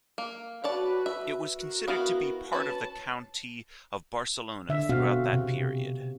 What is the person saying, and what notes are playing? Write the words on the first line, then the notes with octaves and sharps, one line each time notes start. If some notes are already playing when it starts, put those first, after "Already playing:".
It was considered to be part of the County of Barcelona throughout that period.
A#3
F#4 B4 C#5 D5 A5
E5
F#4 A#4
B3 E4 F5
C#4 B4 A5
D3 E5
B2 C4 F#4 F5
C3